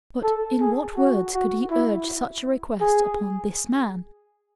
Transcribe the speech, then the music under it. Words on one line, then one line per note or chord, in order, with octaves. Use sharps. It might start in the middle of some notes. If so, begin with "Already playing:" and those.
But in what words could he urge such a request upon this man?
A4
G#4
F#4
F#4
E4
G#4